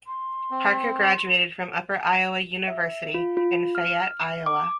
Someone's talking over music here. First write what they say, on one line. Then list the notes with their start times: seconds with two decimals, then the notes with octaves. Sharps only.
Parker graduated from Upper Iowa University in Fayette, Iowa.
0.07 C6
0.51 C4
2.68 E5
3.14 F4
3.37 F4
3.75 F6
4.46 D6